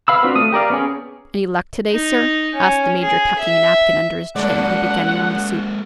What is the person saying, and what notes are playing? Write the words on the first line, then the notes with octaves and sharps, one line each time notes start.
"Any luck today, sir," asked the Major, tucking a napkin under his chin and beginning on the soup.
B4 F5 B5 E6
C4 D4 F4 F#4 B4
A3 D#6
G4 A#4 D5 F5
B3 C#4 G#4
D#4
C#4
G#4
E5
F#2 G#3 A#3 D5 F#5